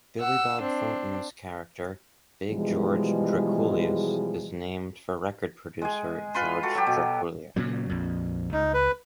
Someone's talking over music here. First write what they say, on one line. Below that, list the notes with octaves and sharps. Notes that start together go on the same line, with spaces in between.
Billy Bob Thornton's character, Big George Drakoulias, is named for record producer George Drakoulias.
F#5 E6
C4 D4
B2 E3 F3 G3 G#3
G#3 G#4
F4 B4 C6
F#4 A4
F#3 G4
B2
A#2 C#3 F#3
A#1 F2
C#2 D#4
B4